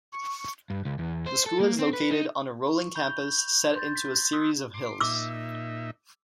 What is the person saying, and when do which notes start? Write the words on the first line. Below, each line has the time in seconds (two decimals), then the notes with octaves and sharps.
The school is located on a rolling campus set into a series of hills.
0.13 C#6
0.70 G2
0.85 C#2
0.99 E2
1.26 C5
1.46 A4
1.60 A#3
1.79 C4
1.93 B4
2.11 D#4
2.67 C#6
2.95 B5 G6 F7 G7
3.76 C6 G6 A6
3.96 B6
4.33 C6 D#6 E6 F#6 B6
4.74 C6 D6
5.01 A#2 D#4 E5 D6 E6